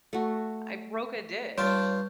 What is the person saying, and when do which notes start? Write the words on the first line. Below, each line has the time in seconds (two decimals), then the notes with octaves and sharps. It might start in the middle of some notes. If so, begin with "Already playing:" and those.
I broke a dish.
0.13 A3 F#4
1.58 G2 F4 C#5 A5